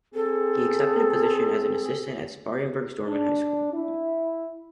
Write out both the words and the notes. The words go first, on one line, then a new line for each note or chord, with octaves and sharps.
He accepted a position as an assistant at Spartanburg's Dorman High School.
C4 G#4 A4
D4
E4